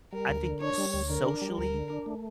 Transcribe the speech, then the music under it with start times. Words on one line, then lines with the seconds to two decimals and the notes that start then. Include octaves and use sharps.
I think socially,
0.13 G3 A#4
0.29 D2
0.45 D3
0.61 D4 C#5
0.78 G3
0.94 D2
1.10 D3 A#4
1.26 D4
1.42 G3
1.58 D2 A#4
1.74 D3
1.90 D4
2.06 A3